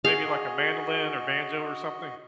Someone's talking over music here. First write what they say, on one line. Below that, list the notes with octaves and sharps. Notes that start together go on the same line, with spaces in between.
maybe, like, a mandolin or banjo or something.
F#4 G#4 D#5 F5